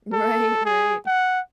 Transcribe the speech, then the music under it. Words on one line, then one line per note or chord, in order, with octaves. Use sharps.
Right, right.
A4
G#4
F#5